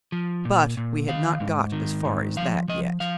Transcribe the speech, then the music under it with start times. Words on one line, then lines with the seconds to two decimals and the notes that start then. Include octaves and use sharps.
But we had not got as far as that yet.
0.12 F3
0.45 A#2
0.77 A#2
1.09 D#3 F5
1.40 G#2
1.72 D#3
2.05 G#2
2.37 F3 F5
2.68 F3 D#5
3.00 F3 F5